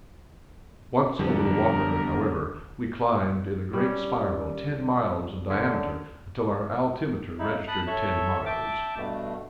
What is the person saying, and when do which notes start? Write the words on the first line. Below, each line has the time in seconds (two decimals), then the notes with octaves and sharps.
Once over the water, however, we climbed in a great spiral, ten miles in diameter, until our altimeter registered ten miles.
1.19 F2 D3 G3 B3 A4 A#4
3.73 G3 C#4
5.50 D3 C#4
7.39 C#3 D#4 E4
7.68 A5 B5 D#6 F#6
7.87 A4 C#5 E5
8.46 E5 G5 A5 D6
8.97 G2 B2 A3